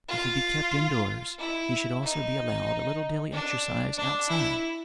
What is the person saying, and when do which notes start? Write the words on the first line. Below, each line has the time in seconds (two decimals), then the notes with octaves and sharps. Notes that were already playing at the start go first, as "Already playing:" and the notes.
If he be kept indoors, he should also be allowed a little daily exercise outside.
0.09 F4
1.38 E4
2.03 D#4
3.32 D4
3.97 D4
4.29 E4